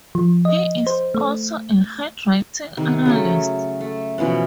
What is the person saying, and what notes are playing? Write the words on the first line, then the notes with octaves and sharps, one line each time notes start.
He is also a handwriting analyst.
F3
D#5
C5
A3
C3 D#3
C#3 F#3 A3
A3
B2 E3 F3 C#4